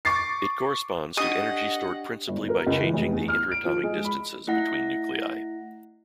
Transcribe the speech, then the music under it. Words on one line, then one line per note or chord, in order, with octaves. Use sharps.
It corresponds to energy stored principally by changing the inter-atomic distances between nuclei.
C#6 D6 A6 C7
D4 G4 D#5 F#5 D#6
G1
A#4
C#2
E3
F1
E2
F6
D7
F3
G#3
B5
A3 E4 F#5 A#6